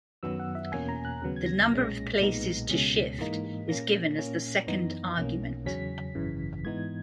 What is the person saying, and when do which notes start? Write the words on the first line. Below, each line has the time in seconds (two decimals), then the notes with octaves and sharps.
The number of places to shift is given as the second argument.
0.23 F#2 D#3 F#3 B3 E6
0.40 F#5
0.55 E5
0.72 E2 B2 A#3 C#4 G#5
0.89 A#5
1.05 F#6
1.21 D#2 C#3 F#3 B3
1.36 G#6
1.46 A#6
1.71 B1 A#2 G#3 C#4 A#6
2.20 B1 A#2 G#3 B3 D#4
2.69 C#2 B2 G#3 C#4 B6
3.19 G#2 E3 A#3 D#4
3.68 A#2 A#3 C#4 A#6
4.17 A#2 A#3 C#4
4.67 F#2 E3 B3 D#4
5.17 B1 B2 A#3 C#4
5.65 E2 C#3 F#3 C#4 B6
6.15 G#1 F#2 C#3 E3
6.64 G#2 E3 B3 D#4 G#6